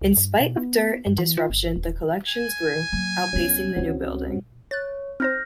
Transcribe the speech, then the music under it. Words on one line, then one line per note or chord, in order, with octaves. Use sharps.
In spite of dirt and disruption the collections grew, outpacing the new building.
C#2
G2
B2
B3
G2
E3
F4
G1
D#1
G#5
F#3 A#3
C#2 F#3 B3 C#4
C#2 C4 C#4 E4 F#4
C#5 F#6 A6
C4 D#4 C5 F6 G6 A#6